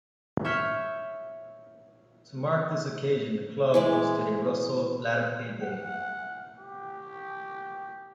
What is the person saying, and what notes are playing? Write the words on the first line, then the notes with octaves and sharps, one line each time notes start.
To mark this occasion the club hosted a 'Russell Latapy Day'.
C#5 E5 C#6 F6 G6 B6
E3 G#3 D5
F#5
G4